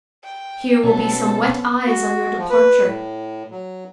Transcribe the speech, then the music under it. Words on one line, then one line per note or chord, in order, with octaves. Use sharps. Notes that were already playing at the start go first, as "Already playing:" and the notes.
Here will be some wet eyes on your departure.
G5
B2 B3 C#4 A4
F#4
F3
B4
A2
F#3